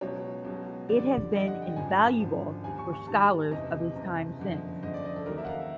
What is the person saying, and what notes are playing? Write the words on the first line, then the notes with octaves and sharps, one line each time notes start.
It has been invaluable for scholars of his time and since.
C#2 B2 F#3 C#5
C#2 B2 F#3
F2 D3 G3 D5
F2 D3 G3 D#5
F#5
G5
G#1 F#2 D3 F3 G#5
G#1 F#2 D3 F3 A5
D#2 D#3 G3 G#5
C#6
C#6
D#2 D#3 G3 A5
F#1 E2 C3 D#5
F#1 E2 C3
F#1 F2 D3
F#1 F2 D3 D#5
D5
D#5
A4
D#2 D#3 F#3 A#4
E5
F#5
F5
E5